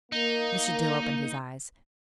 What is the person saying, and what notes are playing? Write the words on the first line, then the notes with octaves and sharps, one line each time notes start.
Mr. Dill opened his eyes.
A#3 D#4